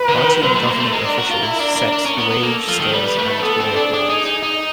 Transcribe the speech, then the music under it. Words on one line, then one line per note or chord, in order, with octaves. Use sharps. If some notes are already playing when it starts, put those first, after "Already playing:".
Party and government officials set wage scales and work norms.
Already playing: B4
D3
D#3
F#3 C5
A3
A#3
A3
G#3 A#4
D4
F#4
F4
E4
D4
D4
D4
C#4
B3
B3
A#3 A4
F3
D#3
G3 B4
A3
C4
B3 A4
C4
D4
D4 G#4
D#4
D#4
D#4